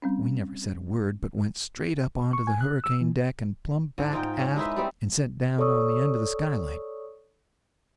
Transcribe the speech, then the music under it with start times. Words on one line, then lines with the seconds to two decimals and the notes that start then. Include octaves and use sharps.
We never said a word, but went straight up onto the hurricane-deck and plumb back aft, and set down on the end of the sky-light.
0.02 G3 C4 C#4
2.33 C#6
2.47 G#5
2.61 F#6
2.84 E6
3.01 E3
3.98 G#2 D3
4.13 G#2 D#4 F4 G5
4.39 C#4
4.56 G#3 D#4 E4 B4
4.76 G3 B3 C4
5.59 A4 C#5 D5 C#6 D#6 E6